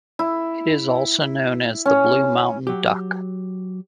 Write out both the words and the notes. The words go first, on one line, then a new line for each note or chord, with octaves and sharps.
It is also known as the Blue Mountain duck.
E4
C#4
F#3 G4